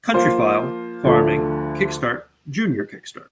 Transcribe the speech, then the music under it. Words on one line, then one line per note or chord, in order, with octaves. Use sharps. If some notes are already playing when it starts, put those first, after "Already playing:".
"Countryfile", "Farming", "Kick Start", "Junior Kick Start".
F3 A#3 F4 C5
D2 D3 F3 A3